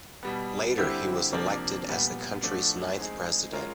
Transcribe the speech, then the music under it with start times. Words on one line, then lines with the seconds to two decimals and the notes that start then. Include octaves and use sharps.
Later he was elected as the country's ninth president.
0.23 B2 G3 B3
0.78 D3 G3 C4 E4 G4
1.33 C3 F3 A#3 D4
1.88 A#2 G3 B3
2.43 F3 A3 D4 F#4
2.98 G#3 C4 D#4 G#4
3.52 G#3 C#4 F4 A#4